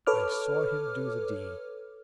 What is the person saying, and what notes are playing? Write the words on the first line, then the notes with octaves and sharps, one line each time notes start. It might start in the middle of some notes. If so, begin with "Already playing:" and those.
I saw him do the deed.
A4 B4 C#5 D6 F6